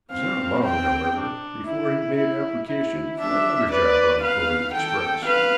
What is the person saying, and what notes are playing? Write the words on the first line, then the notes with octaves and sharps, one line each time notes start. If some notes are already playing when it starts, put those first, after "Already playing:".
It was not long, however, before he made application for another job on the Pony Express.
C4 F5
G5
D4
E4
E4
E4
D4 E5
B4 D5
B4 F5
A4 G5
B4 F5